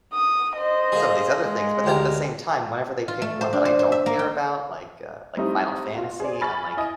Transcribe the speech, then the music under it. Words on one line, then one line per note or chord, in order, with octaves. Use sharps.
some of these other things, but then at the same time, whenever they pick one that I don't care about, like, uh, like, Final Fantasy, I'm like,
D#6
C5 D#5
A#3 G#4
G#3
D2 G4 A#4
F4
A3
C5
D4
C5
C5
E5
A#3
G5
G3 A3 C4 D#4 E4
F4 F#4
G#4 C5 D5
G#5 B5 C#6 F6 A6
E4 D#5 G#5